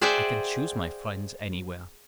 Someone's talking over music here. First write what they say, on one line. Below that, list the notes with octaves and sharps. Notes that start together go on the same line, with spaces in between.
I can choose my friends anywhere.
G#4 C5 D5 E5 F#5 G5